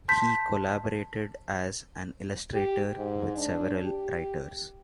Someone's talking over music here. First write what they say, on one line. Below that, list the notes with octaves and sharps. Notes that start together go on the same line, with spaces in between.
He collaborated as an illustrator with several writers.
A5 C6 G6 B6
G4
G#2
D4
G4